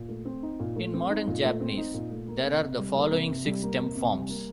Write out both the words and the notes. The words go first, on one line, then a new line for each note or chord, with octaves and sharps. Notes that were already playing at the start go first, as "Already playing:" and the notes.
In modern Japanese there are the following six stem forms.
Already playing: A#2
A3
C4
D#4
A#2
A3
C4
D#4
A#2
A3
C4
D#4
A#2
A3
A#3
C3
C3
G3
A#3
C3
C3
G3
A#3
C3
C3
G3
A#3